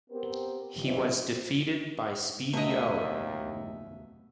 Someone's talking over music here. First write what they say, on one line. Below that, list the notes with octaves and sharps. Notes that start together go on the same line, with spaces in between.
He was defeated by Speedy O.
B3 C4 G4 A#4
C#3 E3 F3 G3 C4 D#4
D#2 B2 A3 D#5 E5